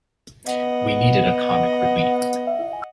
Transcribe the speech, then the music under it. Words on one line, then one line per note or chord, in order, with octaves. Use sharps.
We needed a comic relief.
B3 D#5 F#5